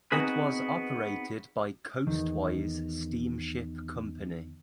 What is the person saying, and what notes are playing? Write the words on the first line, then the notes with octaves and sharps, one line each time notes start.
It was operated by Coastwise Steam Ship Company.
B3 C4 D#4 F#4 G#4 B4
E2 D#3